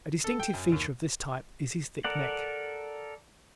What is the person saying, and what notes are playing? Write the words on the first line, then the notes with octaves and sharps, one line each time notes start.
A distinctive feature of this type is his thick neck.
A4
G5
F#2
D#2
A4 A#4 D5 F#5